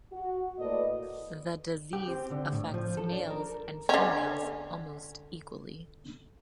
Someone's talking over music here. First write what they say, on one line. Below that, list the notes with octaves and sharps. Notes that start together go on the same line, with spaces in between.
The disease affects males and females almost equally.
F#4
A2 A#3 A4 B4 D5 D#5
G4
C4
D3
A2
F3
A4
D4
A#4
D3 C#4